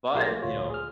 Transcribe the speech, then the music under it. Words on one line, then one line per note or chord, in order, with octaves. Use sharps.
but, you know,
B1 F4 G4 G#4 A#4 C6
F3 A3 A#3
A1 D2 A#2 F4 C#5
G#4 F6